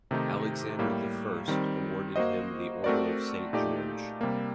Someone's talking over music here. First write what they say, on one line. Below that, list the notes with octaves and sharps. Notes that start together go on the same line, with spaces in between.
Alexander the First awarded him the Order of Saint George.
C3 D#3 A3 D#4 G4
A2 G3 A#3
D#3 G3 C4
A#3 F#4 C5 D#5
A3 C4 F#4 A#4 D5
A#2 A3 D#4 G4 D5
C3 G3 A#3